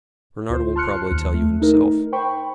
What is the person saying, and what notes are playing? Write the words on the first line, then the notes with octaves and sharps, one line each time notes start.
Bernard will probably tell you himself.
D2 F4 C5
A5 C6 F6 F#6 C#7
D#2
A3
A3 D#4 A#4
C5 G5 B5 C#6